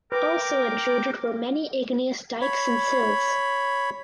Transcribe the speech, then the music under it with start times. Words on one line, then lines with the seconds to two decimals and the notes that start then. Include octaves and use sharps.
Also intruded were many igneous dikes and sills.
0.12 A#4 B4 G5 D6
2.41 C#5 B5